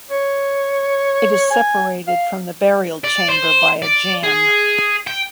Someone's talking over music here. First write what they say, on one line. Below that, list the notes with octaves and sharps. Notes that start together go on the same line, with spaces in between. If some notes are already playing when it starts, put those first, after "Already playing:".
It is separated from the burial chamber by a jamb.
C#5
G#5
F5
D5
C5
D5
G#4
G5